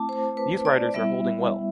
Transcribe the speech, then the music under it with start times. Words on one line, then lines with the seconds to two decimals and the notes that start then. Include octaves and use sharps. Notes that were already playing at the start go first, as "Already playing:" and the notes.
These riders are holding well.
Already playing: A3 C4 E4 A5 D6
0.09 C5
0.37 B4
0.65 D5
0.94 G3 B3 E4 E5